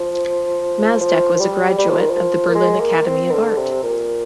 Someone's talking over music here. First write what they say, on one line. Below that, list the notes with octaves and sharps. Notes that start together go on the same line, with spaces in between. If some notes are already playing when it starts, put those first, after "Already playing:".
Matzek was a graduate of the Berlin Academy of Art.
Already playing: F3
F3
G3
G3
F3
D#3
F3
A#3
G#3
A#3
C4
D3
C3
A#2